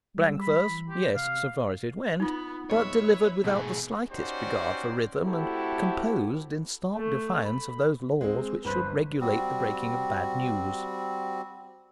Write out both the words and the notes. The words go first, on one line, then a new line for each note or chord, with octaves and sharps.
Blank verse, yes, so far as it went; but delivered without the slightest regard for rhythm, and composed in stark defiance of those laws which should regulate the breaking of bad news.
G3 G#3 E6
B5
E3
G4 C6
C3 F5
B3 D#4 F4
F2 B2 G#3 B4 C#5 E5
A#1 G#2 B2 A3 G#4 F#5
C#4 D#4 F#4 G4 C5 D5
A3 C4 E4 F#4 G4 A4
A3
B5
G#3 C4
G1 B4 C5
G3 C4 F#4